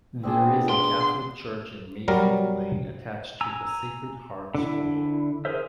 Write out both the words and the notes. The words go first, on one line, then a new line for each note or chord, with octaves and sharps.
There is a Catholic church in Mayfield Lane attached to the Sacred Heart School.
C4 D4 G#4
B3
C6
F#3 G3 A#4
G#5 A#5 E6
D3 E4
G#4 A#4 C5 E5